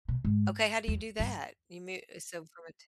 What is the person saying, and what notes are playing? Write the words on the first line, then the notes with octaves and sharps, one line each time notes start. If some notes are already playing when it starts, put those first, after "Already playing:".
Okay. How do you do that? You mute eh, so from a t
B2
G#2
E2
G2